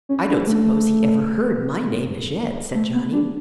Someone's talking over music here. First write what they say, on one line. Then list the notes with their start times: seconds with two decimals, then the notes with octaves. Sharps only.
"I don't suppose he ever heard my name as yet," said Johnny.
0.09 C#4
0.28 D4
0.47 A3
2.75 A3
2.94 B3
3.13 D4